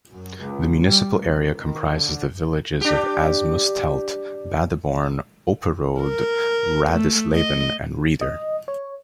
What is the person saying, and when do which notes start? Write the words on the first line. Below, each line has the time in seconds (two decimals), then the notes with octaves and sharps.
The municipal area comprises the villages of Asmusstedt, Badeborn, Opperode, Radisleben, and Rieder.
0.11 F#2
0.41 C#2
0.84 G3
1.17 C#2
1.59 D#3
1.91 D3
2.81 D4 G4
6.01 A#4
6.92 A3
7.34 D#5
8.21 D#5
8.68 C#5